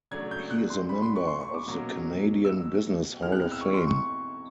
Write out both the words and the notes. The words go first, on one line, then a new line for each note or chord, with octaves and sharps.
He is a member of the Canadian Business Hall of Fame.
C#3 F#3 A3 D4 G#6
G6
F#6
C6
B5
C6
C#6
C6
C#6
D6
B2 F#3 A#3 C#4
E6
B2 G#3 C4 E4 F6
F#6
F6
E6
C#6
C6
C#6